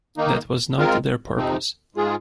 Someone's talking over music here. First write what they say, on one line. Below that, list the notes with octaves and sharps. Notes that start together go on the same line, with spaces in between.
That was not their purpose.
D#3 A#3 D#4
G#3 C4 F4 A#4
F2 C3 F3 C4 D#4
G#2 G#3 F4 G#4